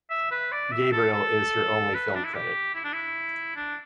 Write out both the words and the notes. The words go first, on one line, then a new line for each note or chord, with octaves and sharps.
"Gabriel" is her only film credit.
E5
B4
D5
E5
A4
A4
B4
D4
E4
G4
E4
D4
E4
D4